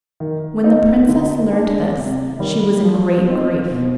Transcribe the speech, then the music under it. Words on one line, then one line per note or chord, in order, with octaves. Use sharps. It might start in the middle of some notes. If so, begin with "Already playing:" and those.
When the princess learnt this she was in great grief.
D#3
B3 D#4
D3
G#3 D4
C3
D#3 G3
F3
C4 D#4
B2